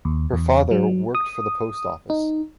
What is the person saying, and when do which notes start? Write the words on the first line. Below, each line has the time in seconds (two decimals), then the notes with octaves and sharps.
Her father worked for the post office.
0.05 D#2
0.33 E2
0.71 F#3
1.15 D#6
2.10 D#4